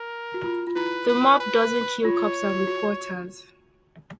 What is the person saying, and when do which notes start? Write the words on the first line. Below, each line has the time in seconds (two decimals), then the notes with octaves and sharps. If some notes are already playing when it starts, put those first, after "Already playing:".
The mob doesn't kill cops and reporters.
Already playing: A#4
0.34 F#4
0.44 F4
0.67 F4
0.76 E4 B4
1.08 B4
1.40 B4
2.04 F4 C#5
2.67 F#4